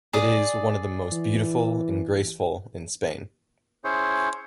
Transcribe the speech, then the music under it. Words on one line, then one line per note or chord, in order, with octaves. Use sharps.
It is one of the most beautiful and graceful in Spain.
G#4 D5 D#6
E3
C#4 E4 G#4 C5 C#5